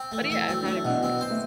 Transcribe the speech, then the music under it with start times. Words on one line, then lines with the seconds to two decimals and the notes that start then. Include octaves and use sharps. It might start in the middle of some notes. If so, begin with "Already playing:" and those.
But, yeah, I've had a few crushes.
Already playing: C4
0.11 A3
0.21 E3
0.30 A3
0.48 F#3 C4
0.62 D4
0.66 A3
0.76 E4
0.85 B2 D4
1.03 B3 C4
1.21 C5
1.31 A3